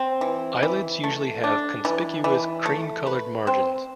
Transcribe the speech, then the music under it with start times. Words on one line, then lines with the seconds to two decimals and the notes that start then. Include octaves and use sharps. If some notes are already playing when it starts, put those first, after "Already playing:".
Eyelids usually have conspicuous cream-coloured margins.
Already playing: C4
0.21 E3
0.63 E3
1.04 A3
1.44 D4
1.85 E3
2.24 E3
2.66 A3
3.07 B4
3.47 C4